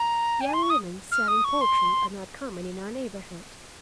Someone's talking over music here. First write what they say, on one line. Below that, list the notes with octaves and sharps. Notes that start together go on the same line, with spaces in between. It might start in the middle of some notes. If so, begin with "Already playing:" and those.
Young women selling poultry are not common in our neighborhood.
Already playing: A#5
G5
G#5
C6
C#6
D#6
F6
D#6
C#6
C6